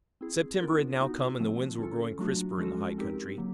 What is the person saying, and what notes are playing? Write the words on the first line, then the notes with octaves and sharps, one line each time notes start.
September had now come and the winds were growing crisper in the high country.
C4 E4 G#4
B3 D4 F4 A#4
B3 D#4 F#4
D3 F3 A3 C4
C#4 F4 A4
F#3 A3 D4 F#4
F3 G#3 C#4 F#4 A4
C4 D#4 G4 A#4
D3 F#3 A#3